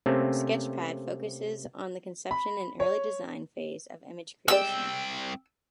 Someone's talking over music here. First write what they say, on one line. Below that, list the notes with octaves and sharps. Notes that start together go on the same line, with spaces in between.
Sketch Pad focuses on the conception and early design phase of image creation.
C3 A3 A#3 C4 C#4
B5
C#5
C2 G#3 G4 D5 G5 E6